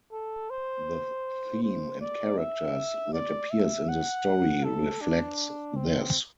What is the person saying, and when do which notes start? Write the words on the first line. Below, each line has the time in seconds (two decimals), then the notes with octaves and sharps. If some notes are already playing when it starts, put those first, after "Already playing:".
The theme and characters that appears in the story reflects this.
0.12 A4
0.50 C5
1.63 C5
2.01 D5
2.38 E5
3.13 D5
3.51 E5
3.89 F#5
4.64 A4
5.01 D4
5.76 C4